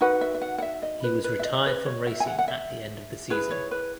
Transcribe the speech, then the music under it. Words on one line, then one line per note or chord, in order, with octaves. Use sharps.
He was retired from racing at the end of the season.
D#4 F#4 B4 F#5
E5
E5
F#5
F#5
E5
D#5
B4
B4
E5
D#5
B4
C#5
E5
G#5
F#5
F#5
E5
E4 G#4 B4
C#5
B4